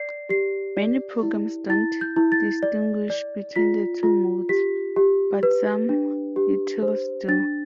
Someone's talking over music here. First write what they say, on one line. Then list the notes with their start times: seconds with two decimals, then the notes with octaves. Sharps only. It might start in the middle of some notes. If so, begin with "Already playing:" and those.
Many programs don't distinguish between the two modes, but some utils do.
Already playing: D5 C7
0.29 G4 C7
0.77 D5
1.23 E4
1.70 E4 A6
2.01 G6
2.16 E4
2.32 A6
2.63 D5
3.10 D5
3.56 F4 B6
4.03 F4
4.49 G4 B6
4.96 G4
5.43 B4
5.89 D4
6.36 G4
6.82 C5
7.28 D4 A6